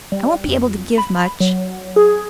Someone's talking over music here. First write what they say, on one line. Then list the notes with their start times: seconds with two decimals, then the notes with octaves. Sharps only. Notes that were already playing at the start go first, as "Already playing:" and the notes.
I won't be able to give much.
0.12 G3
0.48 F2
0.98 B5
1.40 F#3
1.96 G#4